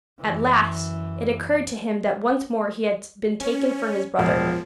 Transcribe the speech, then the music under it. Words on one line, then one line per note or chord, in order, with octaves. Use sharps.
At last it occurred to him that once more he had been taken for his brother.
F#2 E3
C#4
E1 F3